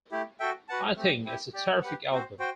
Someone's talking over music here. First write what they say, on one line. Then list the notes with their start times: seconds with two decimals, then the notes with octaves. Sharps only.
I think it's a terrific album.
0.11 A3 E4 G4
0.40 F#4 A4 E5 G5
0.69 F#4 B4 F#5 A5
0.96 A3 C4 G4
1.25 C4 E4 G4
1.53 G4 D5 G5
1.82 G4 B4 F#5
2.11 C4 F#4 C5
2.40 F#4 C5 G5